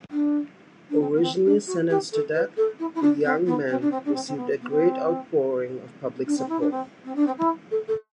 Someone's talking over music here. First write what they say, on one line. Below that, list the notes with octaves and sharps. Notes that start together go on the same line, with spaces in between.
Originally sentenced to death, the young men received a great outpouring of public support.
D4
D4
C4
B3
C4
D4
F#4
G4
A4
B4
A4
E4
E4
D4
C4
B3
C4
D4
C4
D4
C4
C4
B3
B3
C4
D4
C4
E4
D4
C4
C4
D4
C4
E4
A4
A4